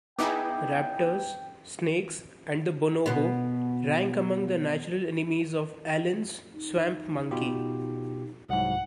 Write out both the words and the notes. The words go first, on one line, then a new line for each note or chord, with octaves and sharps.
Raptors, snakes, and the bonobo rank among the natural enemies of Allen's swamp monkey.
B3 D#4 E4 G#4 G5 D6
B2 B3
D#4
B2 F4 G4
C2 G#2 F#3 F#5